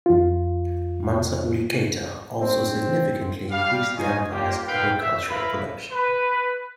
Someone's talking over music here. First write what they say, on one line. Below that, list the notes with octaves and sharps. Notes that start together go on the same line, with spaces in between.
Mansa Uli Keita also significantly increased the empire's agricultural production.
F2 F4
D1 C4 C5
G3 F5
C#4 D#4 F4 D#5 G#5
A#3 F4 G4
B3 D#4 F4 B4 F5 G5
E5
E4 A#4 B4 F5 B5
B4